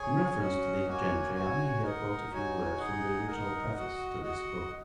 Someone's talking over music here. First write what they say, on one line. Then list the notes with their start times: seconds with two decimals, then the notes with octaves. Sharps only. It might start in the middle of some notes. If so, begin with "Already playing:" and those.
In reference to these gentry, I may here quote a few words from the original preface to this book.
Already playing: G#4 C#5 G#5
0.38 C#4 F#4 D#5 F#5
0.86 A#3 F#4 C#5 G#5
1.34 F#4 C#5 G#5
1.82 D#4 A#4 D#5 F#5
2.30 D#4 F#4 C#5 G#5
2.79 D#4 G#4 D#5 F#5
3.27 D#4 A#4 D#5 F#5
3.75 F#4 D#5 F#5
4.22 F#4 D#5 F#5